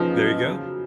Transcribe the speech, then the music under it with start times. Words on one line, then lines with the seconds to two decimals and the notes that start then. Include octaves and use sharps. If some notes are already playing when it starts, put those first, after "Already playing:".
There you go,
Already playing: C#3 F3 B3 D#4
0.17 F#3
0.47 C#3